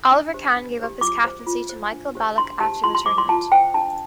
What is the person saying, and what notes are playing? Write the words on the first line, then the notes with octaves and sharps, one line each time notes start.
Oliver Kahn gave up his captaincy to Michael Ballack after the tournament.
D4
G4 C5
D4
G4 C5
F4 D6
C5
F4
C5
D4
G4 C5
D4 C6
G4 C5 A5
F4 C6
C6
C5 D6
C6
F4 A5
C5 G5
D4 A5